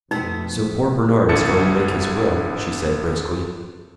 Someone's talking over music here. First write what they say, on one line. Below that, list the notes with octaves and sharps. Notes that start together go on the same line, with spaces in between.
"So poor Bernard is going to make his will," she said briskly.
F2 B2 A3 B3 C4 D#4
G1 C2 D3 A5 A6 C#7